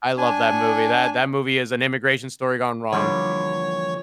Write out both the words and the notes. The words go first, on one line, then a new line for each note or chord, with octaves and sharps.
I love that movie, that that movie is an immigration story gone wrong.
D4 G#5
D3 E3 F3 G3 A#3 C#5